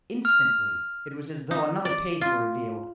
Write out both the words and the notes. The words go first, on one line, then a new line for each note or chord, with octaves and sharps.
Instantly it was as though another page were revealed.
F6
D#4
D5
F4